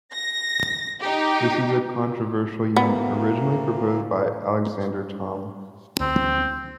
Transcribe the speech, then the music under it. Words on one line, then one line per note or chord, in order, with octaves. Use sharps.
This is a controversial unit originally proposed by Alexander Thom.
A#6
D#4 G4
D2 A#3 B3
D2 C4